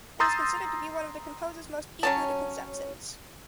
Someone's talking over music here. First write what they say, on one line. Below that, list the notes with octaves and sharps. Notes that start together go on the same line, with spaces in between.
It is considered to be one of the composer's most deep-rooted conceptions.
A#5 C6 D#6 E6 G6 A6
F#3 C#4 A5